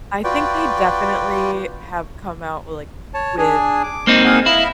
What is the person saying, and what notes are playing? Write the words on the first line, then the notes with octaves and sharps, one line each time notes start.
I think they definitely have come out with, like with
F4 F#4 B4 D5 G5
C#5 A5
D4 G#4 G#5
D6
A#3 C4 D#4
G#4 A#4 F#5
E4 D#5 F5 B5